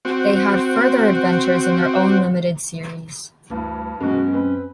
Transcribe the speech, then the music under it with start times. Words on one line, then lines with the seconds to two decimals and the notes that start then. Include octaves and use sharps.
They had further adventures in their own limited series.
0.05 C4 F#4
3.50 D2 G2 E3
4.00 F#2 B2 D#3 G#3 C#4 F#4
4.34 C4 B4